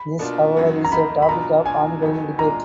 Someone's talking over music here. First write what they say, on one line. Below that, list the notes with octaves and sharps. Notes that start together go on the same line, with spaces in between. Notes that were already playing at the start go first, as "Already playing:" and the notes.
This however is a topic of ongoing debate.
Already playing: B5
B2 A#3 D4 F4
F#2 D#3 F#3 B3
A#5
F2 D#3 A#3 D#4 B5
B5
B2 F#3 D4 F4 A#5
B2 F#3 D4 F4 G#5
F2 D#3 F#3 B3
A#2 G#3 D4 F4 A#5